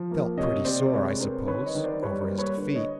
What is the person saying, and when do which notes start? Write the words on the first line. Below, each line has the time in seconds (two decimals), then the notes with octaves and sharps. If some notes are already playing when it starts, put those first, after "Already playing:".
"Felt pretty sore, I suppose, over his defeat."
Already playing: F3
0.11 A#3
0.37 C3 C#5 D#5
0.65 C3 C5 D5
0.86 D5
0.93 G#3 B4 C#5
1.20 C4 A#4 C5
1.47 D#3 B4 C#5
1.66 C#5 D#5
1.75 D#3
1.84 C5 D5
2.03 G3 B4 C#5
2.20 A#4 C5
2.30 A#3
2.38 B4 C#5
2.57 D3
2.75 C#5 D#5